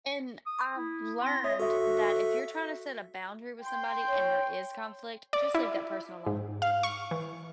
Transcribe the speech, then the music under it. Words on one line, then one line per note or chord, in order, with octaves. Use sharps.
and I've learned that if you're trying to set a boundary with somebody and there is conflict, just leave that person alone.
D#6
E4
C4 C6 A#6
C#5 E5 D#6
F#4 A4 E5
G5 C6
C#5
D5
E4
G#2
F5
C#6
E3